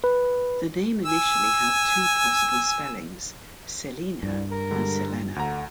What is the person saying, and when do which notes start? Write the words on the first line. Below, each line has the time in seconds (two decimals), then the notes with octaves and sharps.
The name initially had two possible spellings: Selina and Selena.
0.04 B4
1.05 G#5 E6
4.23 C2 G2
4.51 A#4
4.71 D3 G3 G#3
5.36 D2 D3 A#5